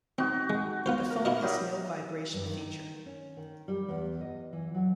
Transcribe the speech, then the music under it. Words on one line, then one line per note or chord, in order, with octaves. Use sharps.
The phone has no vibration feature.
C4 D#4 F#4
G#3
B3 F4 C5
A#4
E4 F4 D#5
F#3 G3 D#4
G2
D#3
C#4
D#3
G3
E2
D#5
E3
F#3